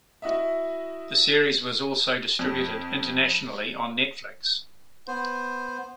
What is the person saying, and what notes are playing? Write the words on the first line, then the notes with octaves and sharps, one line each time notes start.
The series was also distributed internationally on Netflix.
E4 F#4 D#5 E5
F2
B3 C5